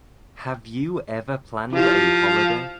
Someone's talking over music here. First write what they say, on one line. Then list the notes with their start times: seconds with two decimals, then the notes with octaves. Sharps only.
Have you ever planned a holiday?
1.73 F3 E4 G4